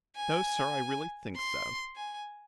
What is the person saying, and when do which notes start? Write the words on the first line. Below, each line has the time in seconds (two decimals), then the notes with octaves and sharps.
'No, Sir, I really think so.
0.16 G#5
1.36 C6
1.96 G#5